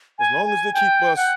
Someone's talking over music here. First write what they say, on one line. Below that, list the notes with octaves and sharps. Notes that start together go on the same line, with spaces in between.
As long as they keep us
G#5
G#5
G5
F#5